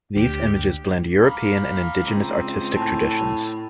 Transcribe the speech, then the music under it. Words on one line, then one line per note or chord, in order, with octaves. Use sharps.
These images blend European and indigenous artistic traditions.
D2 G4
F5 A#5 B5 D6
C#2 C4
A2 G#5 A5